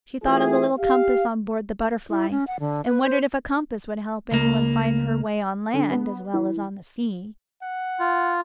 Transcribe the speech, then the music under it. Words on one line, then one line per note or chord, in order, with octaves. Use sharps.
She thought of the little compass on board the Butterfly, and wondered if a compass would help anyone find her way on land as well as on the sea.
E3 A3 F4 G4 G#4
G4 F5
E4
C#4
F#5
D3
B4
C5
C#2 A#3
D3
B3
E3
F#5
F4